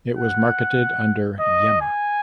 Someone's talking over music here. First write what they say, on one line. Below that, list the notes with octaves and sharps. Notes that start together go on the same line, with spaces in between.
It was marketed under Yema.
F#5
D#5
G#5